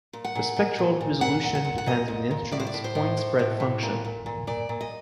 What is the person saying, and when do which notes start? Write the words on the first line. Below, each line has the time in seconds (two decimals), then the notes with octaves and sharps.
The spectral resolution depends on the instrument's point spread function.
0.13 A#2
0.24 F#5
0.35 A#2
0.56 A#2
0.79 A#2
1.01 A#2
1.21 A#2 F#5
1.43 A#2
1.55 F#5
1.65 A#2
1.78 F#5
1.86 A#2 D#5
2.08 A#2
2.31 A#2
2.51 A2 D5
2.60 C5
2.67 D5
2.74 A2
2.84 C5
2.95 A2
3.17 A2
3.39 A2
3.60 A2
3.83 A#2
4.05 A#2
4.26 A#2
4.47 A#2 D5
4.69 A#2
4.81 D#5